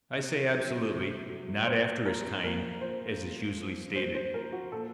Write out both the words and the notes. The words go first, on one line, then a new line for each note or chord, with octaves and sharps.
I say absolutely, not after his kind, as is usually stated.
C3
F#3
C3
F#3
A#2 C5
F3 A#4
A#2 A#4
F3 C5
A#2
F3
A#2 C5
C5
F3 A#4
F#4
A#2 A4